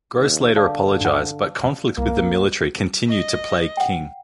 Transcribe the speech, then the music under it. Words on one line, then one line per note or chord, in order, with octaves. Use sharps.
Grose later apologised, but conflict with the military continued to plague King.
D#2
D3 D5 F5 A5
G2 F#5
C2 A#3
D#5
F#5 G5